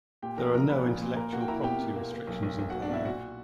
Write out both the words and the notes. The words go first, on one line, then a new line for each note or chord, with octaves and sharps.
There are no intellectual property restrictions in Palau.
A#2 G4 G5
A#1 A#4 A#5
A#1 A#4 A#5
A#2 B4 B5
A#1
A#2
A#3 A#4 A#5
A#3 F#4 F#5
G5
E4 A#4 A#5
B2 G4 G5
B2
A#3
A#3
B1
B1
B1
A#3 F#4 F#5
D4 D5
B2 E4 E5
A#2 F#4 F#5